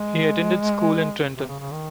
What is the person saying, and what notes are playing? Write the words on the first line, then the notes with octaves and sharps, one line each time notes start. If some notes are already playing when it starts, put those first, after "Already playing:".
He attended school in Trenton.
Already playing: G#3
C3
C#3
C#3
D#3